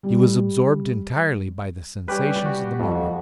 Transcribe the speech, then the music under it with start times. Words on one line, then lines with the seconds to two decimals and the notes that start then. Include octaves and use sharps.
He was absorbed entirely by the sensations of the moment.
0.03 G3
2.08 G3 C#4 G4 B4
2.46 F#4
2.80 F2 F#4